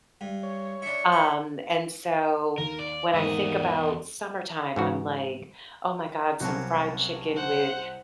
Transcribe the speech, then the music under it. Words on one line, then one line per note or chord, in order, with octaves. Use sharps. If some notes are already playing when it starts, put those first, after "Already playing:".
Um, and so, when I think about summertime, I'm like, "Oh my god, some fried chicken with
G2
C#5
D4 E4 C#7
E4
D#2 A#4
D5
G#1 E2 G#2 A#3 D#5
G#2 E3 F#4
C2 F#2 F#3 A#3 C4 A5
C5 F#5